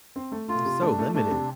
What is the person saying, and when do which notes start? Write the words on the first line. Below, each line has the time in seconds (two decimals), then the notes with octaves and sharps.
And so limited,
0.16 C4
0.32 A3
0.49 A3 F4
0.65 C3
0.81 A3 D4
0.98 A3
1.14 A3 D4
1.31 C3